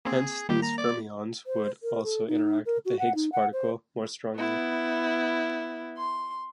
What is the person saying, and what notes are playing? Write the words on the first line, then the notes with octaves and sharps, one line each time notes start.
Hence, these fermions would also interact with the Higgs particle more strongly.
A#3 C4 G#4
D#3 G3 A#3 G4
A#5
D5
C5
A#4
A4
D#4
A#4
F#4
F#5
D#4
F#5
C5
B3 E4
C6